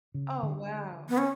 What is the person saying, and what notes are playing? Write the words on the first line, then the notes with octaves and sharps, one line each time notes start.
Oh, wow.
C#3
D3
B3
C#4